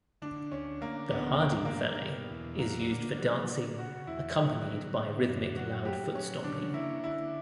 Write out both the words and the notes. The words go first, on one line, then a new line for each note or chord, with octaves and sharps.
The Hardingfele is used for dancing, accompanied by rhythmic loud foot stomping.
D3 D4
D2 C#4
D3 A#3
D2 B3
D3 A#3
G2 A#3
B2
E2
F#3 A#3
D3
F#3
D3
C#3 F#4
E2 E4
F#3
A#2
D3
F#2
F#3 F#4
A#2 G4
F#3 C#4
C#3 D4
A#3 E4
D3 E4